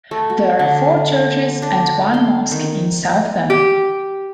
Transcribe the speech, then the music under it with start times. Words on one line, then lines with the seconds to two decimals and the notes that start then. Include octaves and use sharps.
There are four churches and one mosque in Southam.
0.11 A3
0.30 F#4
0.59 D3
1.62 D4
2.14 C6
2.51 D#3
3.50 G4